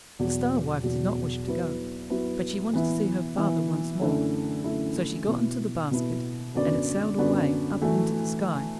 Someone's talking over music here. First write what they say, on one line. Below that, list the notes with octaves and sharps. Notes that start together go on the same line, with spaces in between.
The Star-wife did not wish to go, but she wanted to see her father once more, so she got into the basket and it sailed away up into the sky.
E2 B2 F#3
E2 B2 F#3
F#3 B3 E4 B4
F#3 B3 E4 B4
E3 B3 E4
E3 B3 E4
F#2 D3 A3 E4
F#2 D3 A3 E4
B2 B3 E4
B2 B3 E4
F#2 D3 B3 F#4 D5
F#2 D3 B3 F#4 D5
E3 A3 F#4